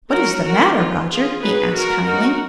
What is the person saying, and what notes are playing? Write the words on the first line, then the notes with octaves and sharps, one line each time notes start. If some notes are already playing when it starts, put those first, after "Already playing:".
"What is the matter, Roger?" he asked kindly.
F#3 C#4 F#4 A#4
F#4 A#4
F3 B3 D#4 F4
F4 G#4
F#3 B3 D#4 G#4 B4
F#4 A#4
F#3 A#3 D#4 F#4 A#4